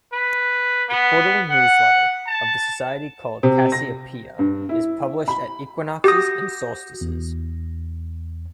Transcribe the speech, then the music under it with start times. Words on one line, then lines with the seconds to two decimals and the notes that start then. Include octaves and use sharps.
The quarterly newsletter of the Society, called "Cassiopeia" is published at equinoxes and solstices.
0.13 B4
0.89 B3
1.51 F#5
2.27 A5
3.43 C3
3.72 A#6
4.39 G2
4.69 E4
5.28 B5
6.04 F#4 G4 D#6 G6 A#6
7.01 E2